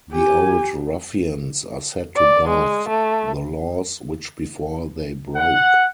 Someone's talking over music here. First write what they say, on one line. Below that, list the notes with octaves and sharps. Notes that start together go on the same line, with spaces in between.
The old ruffians are set to guard the laws which before they broke.
G4 G#5
D5
G#3
A3
F#5